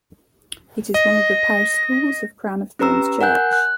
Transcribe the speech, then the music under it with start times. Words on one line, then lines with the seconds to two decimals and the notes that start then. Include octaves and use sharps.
It is one of the parish schools of Crown of Thorns' Church.
0.94 D#5 A#6
2.79 C#4 G4 B4 A#5 E6
3.21 A#4 F#5 G#5 F#6 G6
3.53 F#6